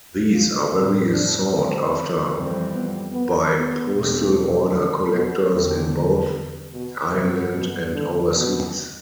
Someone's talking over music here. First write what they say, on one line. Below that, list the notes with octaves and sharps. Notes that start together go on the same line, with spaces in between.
These are very sought after by postal order collectors in both Ireland and overseas.
F4
A2 G3 C4
D4
C4
F2 E3 G3 C4
B3
B3
B3
E2 B2 A3 C4
D3
B2
E2 A2 D3 A3 C4
B2
G2 C3 E3 B3
B2
D3
B2